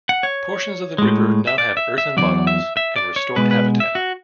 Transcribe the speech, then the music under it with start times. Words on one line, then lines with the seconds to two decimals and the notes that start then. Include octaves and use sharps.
Portions of the river now have earthen bottoms and restored habitat.
0.09 F#5
0.23 C#5
0.98 A2 G#3
1.47 E5
1.58 D5
1.77 E5
1.98 E5
2.17 C#3 F#3 D5
2.21 E2
2.47 E5
2.77 E5
2.96 D5
3.16 C#5
3.36 B2 G#3 B4
3.51 B4
3.80 E5
3.95 F#4